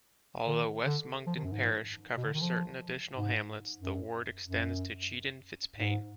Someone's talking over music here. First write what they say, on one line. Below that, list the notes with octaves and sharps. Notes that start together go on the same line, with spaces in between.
Although "West Monkton" parish covers certain additional hamlets the ward extends to Cheddon Fitzpaine.
D3
D#3
D3
F3
D#3
F#2
G#2
B2
D3
D#3
F3
G#2
F#2
F#2
G#2